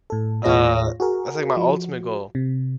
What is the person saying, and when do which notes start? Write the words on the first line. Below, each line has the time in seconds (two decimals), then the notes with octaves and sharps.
uh, that's, like, my ultimate goal,
0.10 A2 A4
0.44 D#2 A2 F4 G#4 C#5 A#6
1.00 F#4 G#4 A#4
1.56 F3 F#4
2.35 C3